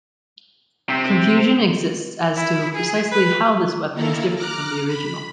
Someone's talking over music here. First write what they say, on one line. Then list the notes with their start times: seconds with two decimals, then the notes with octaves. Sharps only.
Confusion exists as to precisely how this weapon is different from the original.
0.89 C3 C4
2.36 E4
2.75 G#4
3.11 B4
3.94 D#3 A#3 E4 A4 A#4
4.34 A#5 D6 F6 F#6
4.86 B5